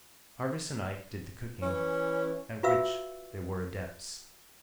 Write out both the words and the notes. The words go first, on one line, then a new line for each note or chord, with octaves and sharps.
Jarvis and Ike did the cooking, at which they were adepts.
E3 C#4 E4
F4 F#4 B4 E5 F5 E6